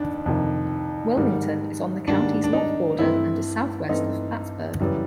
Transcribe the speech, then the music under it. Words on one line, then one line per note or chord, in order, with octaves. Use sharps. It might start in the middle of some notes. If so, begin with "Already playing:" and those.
Wilmington is on the county's north border and is southwest of Plattsburgh.
Already playing: F2 D#3 D4
F2 C3 D#3
G#2 D#3 G3
G#2 D#3 G3 D4
D4
D#4
G2 E3 A3 C4 E4
G2 E3 A3 C4 D#4
F#2 C#3 E3 G3